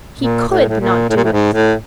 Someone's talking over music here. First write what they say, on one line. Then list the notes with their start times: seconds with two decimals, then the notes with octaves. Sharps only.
He COULD not do it!
0.20 A#2
0.49 A2
0.68 A2
0.80 A#2
1.10 A2
1.16 A#2
1.24 A2
1.32 G#2
1.54 A2